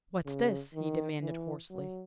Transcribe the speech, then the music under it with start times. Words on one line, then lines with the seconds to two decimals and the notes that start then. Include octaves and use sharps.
"What's this?" he demanded hoarsely.
0.26 C#3
0.74 D#3
1.22 E3
1.70 F#3